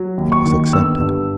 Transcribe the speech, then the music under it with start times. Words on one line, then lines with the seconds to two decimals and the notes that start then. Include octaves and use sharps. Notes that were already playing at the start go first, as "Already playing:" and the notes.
It was accepted.
Already playing: F#3
0.17 D#2
0.32 C#6
0.46 D#3
0.73 G1 E6
1.01 G2